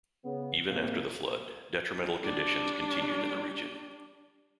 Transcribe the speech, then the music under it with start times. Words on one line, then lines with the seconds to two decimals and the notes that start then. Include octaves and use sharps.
Even after the flood, detrimental conditions continued in the region.
0.24 C#3 B3
0.70 G#2 C3 A#3
2.19 G3 D4